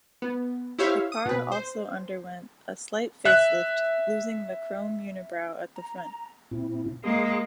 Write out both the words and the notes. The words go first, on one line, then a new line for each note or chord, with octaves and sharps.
The car also underwent a slight facelift, losing the chrome unibrow at the front.
B3
E4 G4 C5 C#5 E5 F5
D#6
B2 B4
C5
E5 F#6
A#5
A#2 C4 E4
G#3 A#3 G#4 C6 D#6